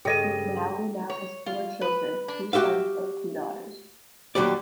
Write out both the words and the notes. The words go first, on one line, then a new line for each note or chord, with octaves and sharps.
McNally now has four children, two sons and two daughters.
G2 C#3 G#4 A4 D#5 G5 A#6 D#7
C#5
F4
B4
D4
F#4 G4 E5 F5
D#2 C#3 F#3 G3 D5